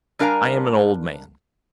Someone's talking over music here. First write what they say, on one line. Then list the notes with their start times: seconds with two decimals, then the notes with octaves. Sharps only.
I am an old man.
0.19 G3 D4 A#4 F5 G#5 A#5